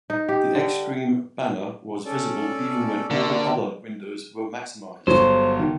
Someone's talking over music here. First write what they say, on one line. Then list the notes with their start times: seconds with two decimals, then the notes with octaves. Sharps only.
The X-Stream banner was visible even when all other windows were maximised.
0.10 D#4
0.29 G4
0.55 D3
2.05 C#4 A4 D5
3.10 D3 A#3 D4 F#4
5.07 G1 F#3 C5 C#5
5.59 D#3